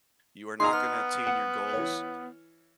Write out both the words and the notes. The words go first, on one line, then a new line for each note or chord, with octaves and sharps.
you are not gonna attain your goals.
D#4 G#4 A#5 C6
B3 F6
F#5
E3 C#5